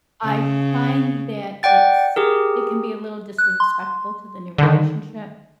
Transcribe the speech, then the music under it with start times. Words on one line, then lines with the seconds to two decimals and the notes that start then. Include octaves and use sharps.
I find that it's it can be a little disrespectful to the new relationship.
0.24 C#3
1.63 D5 F#5 G5 A6
2.16 G4 G#4 A#4
3.38 F#6
3.60 C6
4.58 D3 D#3